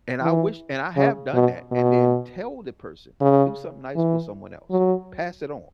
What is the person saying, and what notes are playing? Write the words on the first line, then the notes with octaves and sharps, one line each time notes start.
and I wish and I have done that, and then tell the person, "Do something nice for someone else. Pass it on.
E3
C#3
B2
B2
C#3
E3
F#3